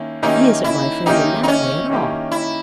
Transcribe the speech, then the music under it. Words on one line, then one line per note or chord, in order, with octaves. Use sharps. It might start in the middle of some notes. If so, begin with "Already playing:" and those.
"He isn't my friend in that way at all."
Already playing: D#3 A#3 C#4 E4
D#3 A#3 C#4 D#4 E4 G4
E4
D#3 A#3 C#4 D#4 E4 G4
D#4
C#4
D#3 A#3 C#4 E4 G4
E4